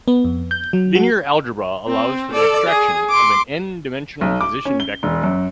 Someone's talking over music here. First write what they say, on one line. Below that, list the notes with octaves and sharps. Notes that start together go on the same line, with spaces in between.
Linear algebra allows for the abstraction of an "n"-dimensional position vector.
B3
F2
G6
F#3
F#4
C4
A4 D5
G#4
C6 D6
B1
D6
C#4
G7
E1
F#2